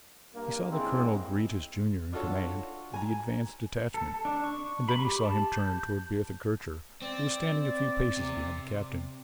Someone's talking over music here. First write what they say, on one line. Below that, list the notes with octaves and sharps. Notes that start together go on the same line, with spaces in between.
He saw the colonel greet his junior in command of the advance detachment, and then he saw him turn toward Bertha Kircher who was standing a few paces behind the captain.
G2 A#3
F2 G#2 G#3 C4 C#4 E4
D4 F4 F#4 A4 C#5
G#5 A#5
A4
D4
C#6
B5
G4
A5
G6
C4 D5
C3